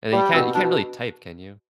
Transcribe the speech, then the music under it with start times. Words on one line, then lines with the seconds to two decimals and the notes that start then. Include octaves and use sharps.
And then you can't you can't really type, can you?
0.13 G3
0.34 B2 C4
0.54 B2 D4